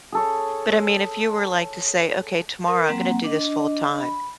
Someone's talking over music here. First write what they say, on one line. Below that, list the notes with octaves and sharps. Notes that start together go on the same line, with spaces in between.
but I mean if you were like to say, "Okay, tomorrow I'm gonna do this full time
G#4 A4 C#5
A#4
F#3 G3 A#3 C4 F#5 A#5
D4 D#5
B5